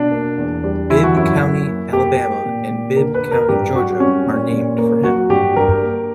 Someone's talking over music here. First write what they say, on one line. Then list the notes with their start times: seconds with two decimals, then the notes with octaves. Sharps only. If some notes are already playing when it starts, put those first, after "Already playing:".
Bibb County, Alabama, and Bibb County, Georgia, are named for him.
Already playing: B2 D4
0.11 A#3
0.38 E2
0.64 G3
0.90 E3 E4
1.03 F#4
1.16 F#2 E4
1.41 F#2
1.67 A#3
1.93 A#3 G4
2.19 A#3
2.46 A#2
2.71 A#2
2.96 D3 A#4
3.14 B4
3.23 A#3
3.31 A#4
3.49 G2 G4
3.74 F#3 F#4
4.00 G3 C#4
4.26 A#2
4.53 A#2
4.78 A#3
5.04 F#3 F#4
5.30 G2 G4
5.56 G2 A#4
5.83 A#3